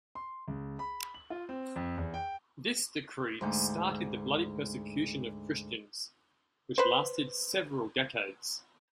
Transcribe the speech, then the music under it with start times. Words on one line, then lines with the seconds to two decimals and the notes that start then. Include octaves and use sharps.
This decree started the bloody persecution of Christians, which lasted several decades.
0.15 C6
0.48 C#2
0.79 B5
1.14 F#7
1.30 F4
1.49 C4
1.76 F2
1.97 E2
2.14 G5
3.41 D2 G#2 G6
6.78 B4 C5